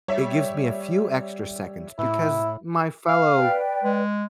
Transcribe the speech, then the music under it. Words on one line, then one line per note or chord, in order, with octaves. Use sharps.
it gives me a few extra seconds because my fellow
G3 C#5 E5
A2 E4
F5
B4 D5 G5
G#3